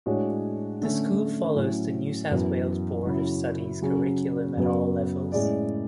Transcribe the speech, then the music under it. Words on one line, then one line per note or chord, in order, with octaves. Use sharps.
The School follows the New South Wales Board of Studies curriculum at all levels.
A2 G#3 D4 F#4 C#5
D3 A3 C#4
A2 F#3 C#4
F#2 E3 B3 F#4
C#3 F#3 C#4 E4
C#3 F#3 C#4 G#4
F#2 C#3 F#3 B3 F#4
A2 G#3 C#4 G#4 D5